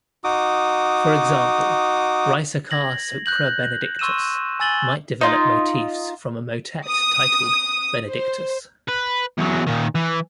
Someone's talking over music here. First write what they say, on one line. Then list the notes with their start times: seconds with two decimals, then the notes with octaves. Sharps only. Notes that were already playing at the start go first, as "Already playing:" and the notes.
For example, "Ricercar sopra Benedictus" might develop motifs from a motet titled "Benedictus".
0.24 D#4 F#4 D6 D#6
2.71 G#6 A#6 F#7
3.26 F#6 G6 F#7
3.99 C6 C#6 E6 D#7 E7
4.60 G#5 E6 A6 F#7 G7
5.21 D#4 F4
6.87 D#6
8.09 C5
8.88 B4
9.38 E2 F#3
9.67 A#2 D#3
9.95 E3